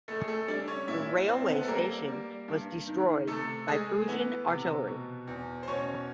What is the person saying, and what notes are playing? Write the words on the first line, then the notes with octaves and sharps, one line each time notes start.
The railway station was destroyed by Prussian artillery.
A#1 A3 A4
G#4
A3 A4
G3 D4 D5
C#4 C#5
A#2 E4 E5
A#1 C4 C5
B3 B4
A4
G3 A#3 A#4
G3
G2
D#3
C3 A3 A4
G#3 A3 G#4
E3 B3 B4
C3
B2
E2
C5
B2 C#4 C#5